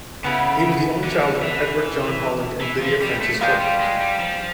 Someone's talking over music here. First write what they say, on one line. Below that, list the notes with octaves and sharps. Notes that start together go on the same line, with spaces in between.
He was the only child of Edward John Holland and Lydia Frances Hood.
C#3 B3 E4 A4
D3
E3
E3
F3
G3
A3
G#3 F4 A#4 D5 G5
G3
G#3
G3
F3